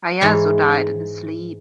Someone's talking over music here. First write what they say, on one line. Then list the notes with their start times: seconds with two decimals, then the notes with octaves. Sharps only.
Caiazzo died in his sleep.
0.21 G#2 E3 C#5